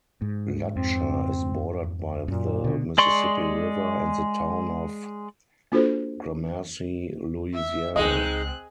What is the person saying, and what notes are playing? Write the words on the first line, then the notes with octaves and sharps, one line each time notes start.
Lutcher is bordered by the Mississippi River and the Town of Gramercy, Louisiana.
G#2
F2 C4
F#2 A#2
B2 D3
G#3 D5 C6 C#6
A#3 D4 F4 F#4 A4 C5
E5
C#2 G#3 C4 D#4 G#4 D#5 F#6